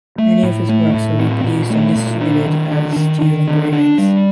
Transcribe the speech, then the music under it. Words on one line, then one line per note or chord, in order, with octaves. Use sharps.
Many of his works were reproduced and distributed as steel engravings.
A3
A2
A3
A2
C4
A#2
A3
A#2
D4
D#3
D4
D#3
D#3
D4
D4
G3